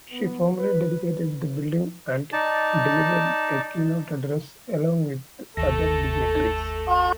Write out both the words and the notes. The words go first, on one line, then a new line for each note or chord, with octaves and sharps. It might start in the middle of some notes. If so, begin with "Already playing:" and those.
She formally dedicated the building and delivered a keynote address along with other dignitaries.
B3
B4
D#4 D5 A5
G1 D#2 A3 A4 A#6